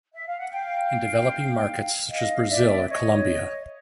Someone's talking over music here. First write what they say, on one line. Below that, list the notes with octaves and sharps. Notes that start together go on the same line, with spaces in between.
In developing markets such as Brazil or Columbia.
E5
F5
F#5
F5 G5
D#5 F5
D5 E5
C#5 D#5